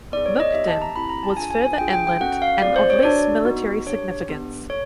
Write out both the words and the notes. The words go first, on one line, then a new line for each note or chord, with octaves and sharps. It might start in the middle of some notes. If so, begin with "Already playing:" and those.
Mukden was further inland and of less military significance.
B3 D#4 G#4 D5
C#5
D#5
B3 D#4 G4 E5
A5
A#5
C4 E4 G4 B5
A#5
A5
D4 F4 G#4 G#5
G#5
G#5
D4 F4 G#4 G5
G5
G5
C#4 F#4 A4 F#5
F5
A3 C4 F4 G#4 D5
C5
C#5
D4 F#4 A4 D5
B3 D#4 F#4
D4 G4 C#5
B3 D4 G4
A4 C#5